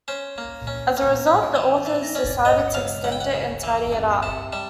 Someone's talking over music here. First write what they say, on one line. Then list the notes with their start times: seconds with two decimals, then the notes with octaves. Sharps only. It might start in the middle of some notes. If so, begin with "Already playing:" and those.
As a result, the authors decided to extend it and tidy it up.
0.08 C#4 C5
0.38 A#3
0.67 C#4
0.97 A#3
1.27 C#4
1.56 E3
1.86 E3
2.15 C#4 D5
2.45 F#3 D#5
2.74 C#2 F5
3.04 C#2 F#5
3.12 G5
3.20 F#5
3.33 C#3
3.63 E3
3.93 C2
4.22 C3 A5
4.53 G3 A5